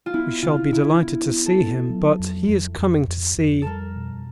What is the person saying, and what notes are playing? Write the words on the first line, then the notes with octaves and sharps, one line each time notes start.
We shall be delighted to see him; but he is coming to see----.
F4
B3 E4
C#3 F4
D4 E4
B3
B3
A4
B3
F#3
F2
F2
F2
F2
F2
G3 A4 A#4
B2